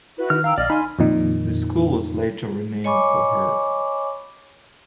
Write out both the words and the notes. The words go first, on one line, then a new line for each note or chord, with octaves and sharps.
The school was later renamed for her.
E4 F#4 B4
D#3 F6
F5 G5 A#5 E6
B1 D5 D#5 F5 F6
D#4 G#5 B5 C6
F2 A#2 D#3
C#5 D#5 G#5 B5 C#6 D6